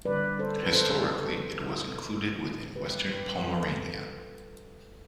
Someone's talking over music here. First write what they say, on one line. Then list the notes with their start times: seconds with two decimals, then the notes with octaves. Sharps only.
Historically, it was included within Western Pomerania.
0.05 D3 G3 B4 D5
0.39 A4 C5
0.63 B4
0.73 A4 C5
2.76 C3 G3 G4 B4
3.10 G4 B4
3.44 F4 A4